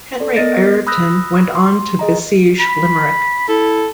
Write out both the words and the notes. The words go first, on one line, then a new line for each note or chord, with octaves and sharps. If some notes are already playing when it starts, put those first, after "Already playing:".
Henry Ireton, went on to besiege Limerick.
A4 D5
B3 A#4 D#5 A6 A#6
B5 D#6 E6 F#6 G6 A#6
C6
G#4 D#5 A#5
B5
E4 A4